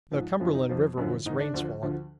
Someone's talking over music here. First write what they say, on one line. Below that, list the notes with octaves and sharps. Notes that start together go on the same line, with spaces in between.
The Cumberland River was rain-swollen.
G#2 F3
F#2 D3 F3 F4
D#4
F2 F3
F#2 D3 F3
G#2 D#3 D#4
D4
D2 D3 F3
D2 D3 F3